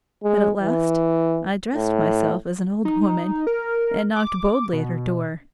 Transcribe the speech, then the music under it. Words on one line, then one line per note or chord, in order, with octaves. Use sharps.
But at last I dressed myself as an old woman, and knocked boldly at her door.
G#3
E3
A2
D#4
A#4
D6
B2